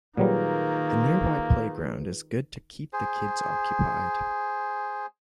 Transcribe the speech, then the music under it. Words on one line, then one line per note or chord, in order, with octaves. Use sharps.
The nearby playground is good to keep the kids occupied.
A#2 D#3 F#3 G3 A#3 F4 G#4 B4
G#4 C5